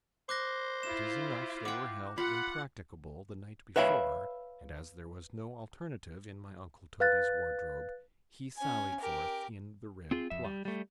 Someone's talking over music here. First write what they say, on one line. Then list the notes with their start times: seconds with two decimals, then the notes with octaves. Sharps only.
It is enough they were held impracticable the night before, and as there was no alternative in my uncle Toby's wardrobe, he sallied forth in the red plush.
0.29 C5 D6 F#6 A#6
0.83 E4 F4 E7
1.65 F#5 G5 D6
2.18 F4 F#5 B5
3.76 B4 C#5 E5 F5 B5
7.00 B4 F5 F#6 A6
8.57 C#4 G#5
9.00 G4 A#4
10.11 C4 F4 G#4
10.30 F2 E5
10.44 G3
10.65 G3 A3